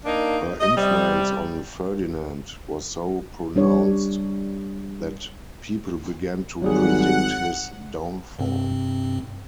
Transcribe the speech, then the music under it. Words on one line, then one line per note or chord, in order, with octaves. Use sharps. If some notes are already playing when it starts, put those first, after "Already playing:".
Her influence on Ferdinand was so pronounced that people began to predict his downfall.
A#3 D4 D#4
D#5
C3 G3
G3 D4 C#5
G#1 F#3 G3 G#4 F#5
G2 C3 C4